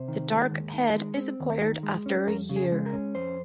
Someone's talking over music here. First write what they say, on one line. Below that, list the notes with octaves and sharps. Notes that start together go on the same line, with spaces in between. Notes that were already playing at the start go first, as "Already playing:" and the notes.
The dark head is acquired after a year.
Already playing: C3 C5
D#3
G#3
D#2
D#3
G#3
C4
D#2
D#3
G#3
C#4
F2 A#4
C#3
G#4
G#3
A#4
C#4
F2 C5